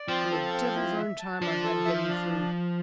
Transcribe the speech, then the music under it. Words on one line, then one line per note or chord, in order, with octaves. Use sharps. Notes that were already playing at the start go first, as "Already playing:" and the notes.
And the devil's own time I've had getting through.
Already playing: D5
F3 C4
A4
C4
E4
E5
A5
F3 D4
A4
E5
D4